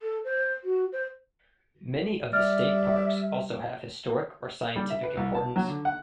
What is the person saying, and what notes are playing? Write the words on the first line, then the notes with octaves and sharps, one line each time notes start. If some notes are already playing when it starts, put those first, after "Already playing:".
Many of the state parks also have historic or scientific importance.
A4
C5
F#4
C5
G3 D5 E5 F6
G3
E5
B4
C2
A5
F#3
D3
F#5